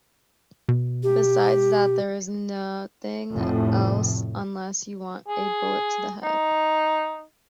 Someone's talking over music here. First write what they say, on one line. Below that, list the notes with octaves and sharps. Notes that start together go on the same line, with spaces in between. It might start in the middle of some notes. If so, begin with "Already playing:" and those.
Besides that there is nothing else unless you want a bullet to the head.
B2
G4
F1 A2
G#4
D#4